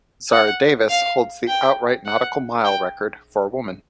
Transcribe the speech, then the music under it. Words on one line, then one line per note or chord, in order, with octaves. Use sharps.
Zara Davis holds the outright nautical mile record for a woman.
F#5
F5
G5
F#5
G5